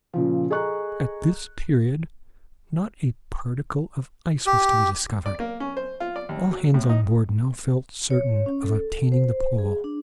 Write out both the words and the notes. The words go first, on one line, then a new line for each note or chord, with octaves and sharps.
At this period not a particle of ice was to be discovered. All hands on board now felt certain of attaining the pole.
A#2 C#3 F3
G#4 A4 D#5 A#5 C#6 F#6
G4
D5
A#3
C#4
C5
F4
D5
D#2
F#3
A2
D#4
C#5
C#4
A4
C5
G#4
D4